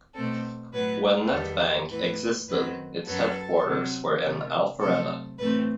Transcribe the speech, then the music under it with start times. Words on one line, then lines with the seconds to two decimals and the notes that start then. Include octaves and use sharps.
When NetBank existed, its headquarters were in Alpharetta.
0.14 B2 A3 C4 A4
0.73 A2 F#3 B3 B4
1.31 E2 D#3 G3 B3 A4
1.89 A2 E3 B3 B4
2.48 F#2 D#3 F#3 C4 B4
3.06 F#2 F#3 B3 A4
3.64 C3 F#3 C4
4.22 C3 D#3 A3
4.80 C3 F#3 A3 C4 A4
5.39 A2 E3 A3 C4 B4